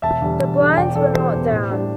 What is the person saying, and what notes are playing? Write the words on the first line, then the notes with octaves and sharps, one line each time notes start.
The blinds were not down.
E1 E5 A5
E2 D3 G3
E1
E2 D3 G3
E1 D5 G5
E2 E3 A4 D5
E1 G4 C5
E2 E3
A2
G3 D4